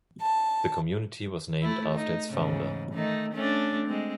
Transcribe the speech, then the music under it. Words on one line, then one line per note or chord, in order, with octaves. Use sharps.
The community was named after its founder.
A5
A3 E4
D#4
E2 G#2 C#3
D#3 A3 D#4
A3 C#4 D4
G#3 C4